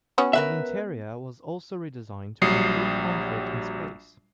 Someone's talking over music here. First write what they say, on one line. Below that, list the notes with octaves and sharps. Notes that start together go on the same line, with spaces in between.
The interior was also redesigned to improve comfort and space.
B3 C#4 F#4
A#4 B4 E5
A#1 F#3 G3 D#6 C7 C#7